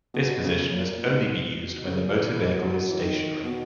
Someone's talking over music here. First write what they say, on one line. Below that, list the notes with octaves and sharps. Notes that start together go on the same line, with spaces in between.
This position must only be used when the motor vehicle is stationary.
B2
C#3
A#2
G#2
B2
C#3
E3
E3
F#3
F#3
E3
D#3
B2